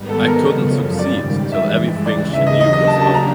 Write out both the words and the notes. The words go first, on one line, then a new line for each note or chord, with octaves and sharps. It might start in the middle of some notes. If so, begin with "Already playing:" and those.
I couldn’t succeed till everything she knew was out.
Already playing: G#2 D#3 G3 B3
A4
A#4
F#2 C#3 F3
G#2 D#3 G3 D5
G2 E3 G#3 E5
D#2 C#3 E3 D5
E5
D#5
C#3 F#3 A#3 D4 G4 D#5
D#5
A5
A5
A#5